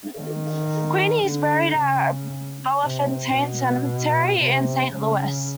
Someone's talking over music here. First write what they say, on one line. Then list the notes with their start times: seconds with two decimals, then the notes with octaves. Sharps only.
Queeny is buried at Bellefontaine Cemetery in Saint Louis.
0.20 D#3
1.26 D3
1.78 C#3
2.83 C3
3.35 B2
4.41 C3
4.93 C#3